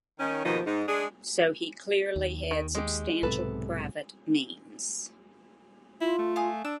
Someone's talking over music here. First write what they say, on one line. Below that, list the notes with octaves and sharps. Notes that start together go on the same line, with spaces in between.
So he clearly had substantial private means.
D#3 C#4
D#2 B2 D#3 F3 D#5
G#2 D#4
G#3 D4 G#4
D#2
D#3
G#3 G4
B1 G#2 C3 A4 B4
E4 F4
A3
F5 G#5 D#6
D4 E6